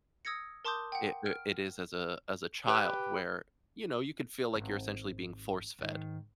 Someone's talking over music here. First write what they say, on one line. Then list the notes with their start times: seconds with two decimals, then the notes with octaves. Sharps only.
it it is as a as a child, where, you know, you could feel like you're essentially being force-fed
0.25 D#6 E6 G#6 A#6 C#7
0.65 A#4 A5 C6 D6 D#6 G6
0.92 F#5 G5
1.26 F6 D7
2.67 G4 B4
4.56 G#1
5.79 G#2 D#3